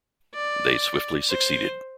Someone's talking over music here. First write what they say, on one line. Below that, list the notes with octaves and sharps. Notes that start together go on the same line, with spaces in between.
They swiftly succeeded.
D5
C5